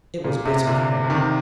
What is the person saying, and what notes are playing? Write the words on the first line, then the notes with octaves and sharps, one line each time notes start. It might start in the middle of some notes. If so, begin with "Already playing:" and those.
It was bitter cold.
A#2
C3
A#2 D3
D3
C3 D#3